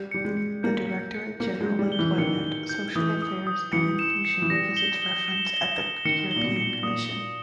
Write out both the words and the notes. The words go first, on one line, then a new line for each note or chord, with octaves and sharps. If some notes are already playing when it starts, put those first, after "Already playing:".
The Directorate-General Employment, Social Affairs and Inclusion is its reference at the European Commission.
Already playing: G3 G6
G3 C#7
G#3
C#7
A#3 G6
C#7
C#7
A#3 C#7
G#3
G6
G3
G7
E3
D#3 C#7
G7
G6
E3 D#6
D#6
D#6
E3 C#7
E7
C#7
E3
G3 A#6
G7
G7
E7
G7
G7
D#3 C#7
G7
A#2
B2
C#7
A#2 D#6
G7